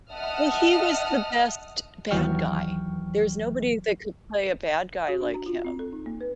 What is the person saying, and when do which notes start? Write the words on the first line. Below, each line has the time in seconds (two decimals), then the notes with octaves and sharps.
Well, he was the best bad guy, there's nobody that could play a bad guy like him,
0.13 D#5 E5 F#5 A5 D#6 F6
2.11 D#2 E3 F#3 G5 C#6 F6
5.09 F#4
5.21 D4
5.34 A#5
5.46 F4
5.65 C4
5.79 A4
5.93 D#4
6.06 A#3
6.21 B4